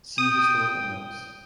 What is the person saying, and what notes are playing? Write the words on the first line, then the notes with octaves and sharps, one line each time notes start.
See historical notes.
G5 D#6